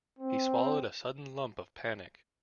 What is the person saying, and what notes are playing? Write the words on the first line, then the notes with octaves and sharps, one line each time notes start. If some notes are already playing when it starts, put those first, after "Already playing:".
He swallowed a sudden lump of panic.
C4